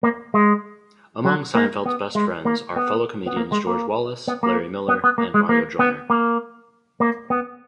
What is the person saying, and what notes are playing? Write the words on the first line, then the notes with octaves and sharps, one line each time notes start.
Among Seinfeld's best friends are fellow comedians George Wallace, Larry Miller, and Mario Joyner.
A#3
G#3
F#3
A#3
B3
G#3
A#3
B3
B3
A#3
G#3
A#3
B3
A#3
B3
B3
A#3
G#3
A#3
B3
A#3
A#3
B3